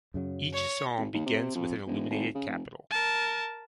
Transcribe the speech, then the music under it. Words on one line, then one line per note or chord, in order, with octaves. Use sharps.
Each psalm begins with an illuminated capital.
F#2 C#3 F#3
C#5
G#1
D#2
C3
F2
E1
G#1
C#3
F1
A#4 A5